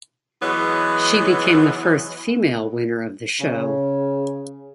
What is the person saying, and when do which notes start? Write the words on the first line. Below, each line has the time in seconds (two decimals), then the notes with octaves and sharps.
She became the first female winner of the show.
0.42 E3 F#3 G#3 B3 C#5
3.40 C#3